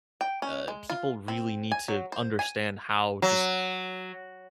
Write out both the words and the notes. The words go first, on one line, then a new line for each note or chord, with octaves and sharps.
uh, people really need to understand how just
G5
C#4
G#3
F4
C4
G#5
F#3
C5
G#5
F#3